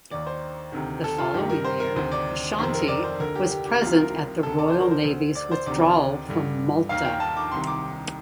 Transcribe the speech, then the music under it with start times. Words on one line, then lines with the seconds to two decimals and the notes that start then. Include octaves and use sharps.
The following year "Ashanti" was present at the Royal Navy's withdrawal from Malta.
0.11 D#2 D#3 D5
0.26 C5
0.72 D2 C3 D#3
1.04 A4
1.18 F4
1.34 G2 D#3 G4
1.50 A#4
1.65 C5
1.80 A#4
1.96 D2 C3 D#3 C5
2.12 D5
2.58 F2 C3 D#3 C5
2.74 A#4
2.88 D5
3.04 C5
3.19 D2 D3 A#4
3.35 G4
3.50 G4
3.65 G4
3.82 C2 C3 D#3 F4
3.96 A#4
4.42 D2 C3 D#3 A4
4.59 D5
4.70 C5
4.80 A#4
4.91 C5
5.05 D2 D3
5.35 D5
5.52 C5
5.66 D2 C3 D#3 D5
6.28 G2 D3
6.89 D#2 D#3 F5
7.05 G5
7.20 A5
7.37 D6
7.52 C2 C3 D#3 C6
7.67 D6